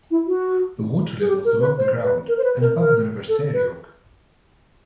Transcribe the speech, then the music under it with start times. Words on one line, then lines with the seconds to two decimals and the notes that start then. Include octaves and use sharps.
The water level is above the ground and above the River Ceiriog.
0.11 E4
0.27 F#4
1.20 G#4
1.28 G4
1.45 A#4
1.60 B4
1.78 C5
2.03 B4
2.28 A#4
2.38 C5
2.44 B4
2.61 A#4
2.79 A#4
3.29 A4
3.53 B4